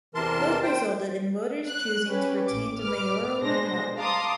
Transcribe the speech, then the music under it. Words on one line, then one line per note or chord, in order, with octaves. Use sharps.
Both resulted in voters choosing to retain the mayoral model.
E2 C3 E3 A#4 A5 C6
C5 G5
F#6
C#4 G4 B4
A1 D6
B4 D6 F6
B2 G#3 D4 C5 A#6
F5 A5 A#5 C6 D6 D#6